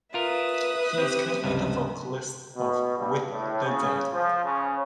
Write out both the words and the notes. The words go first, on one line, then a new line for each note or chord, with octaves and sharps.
He is currently the vocalist of With the Dead.
F4 A#4 B4 E5 D#6
C4 G4
C#2 G2 C3
B2
G2
A2
C#3
F3
C#3